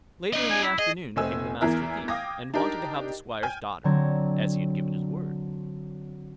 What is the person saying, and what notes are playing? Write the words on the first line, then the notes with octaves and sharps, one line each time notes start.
Later in the afternoon came the Master Thief, and wanted to have the Squire's daughter, as he had given his word.
D4 D#5
G#5
E4
G#4 D#5
F1 A3 C4 D#5 G#5 E6
E2 E3 G#4 A#4 E5 F6
F5 G5 D6 D#6 G#6 A#6
D4 D#4 G4 A#4
G5 G#5 F6 G6
D3 F#3 C4 C#5 A#5 G#6